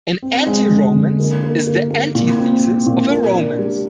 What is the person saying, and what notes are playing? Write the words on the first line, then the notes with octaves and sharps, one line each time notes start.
An anti-romance is the antithesis of a romance.
C4
G#3
D3
D3
A#3
A#3
A#3
A#3
A#2
C4
C4
A#2
A#4
D4
G3